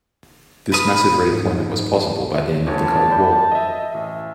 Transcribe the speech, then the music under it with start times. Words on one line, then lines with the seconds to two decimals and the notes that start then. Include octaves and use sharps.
This massive redeployment was possible by the end of the Cold War.
0.72 B4 D#6
1.30 G#2
2.66 G1 D2 C#5 A5
3.11 D5 B5 G6
3.52 D#5 E5
3.93 A1 E5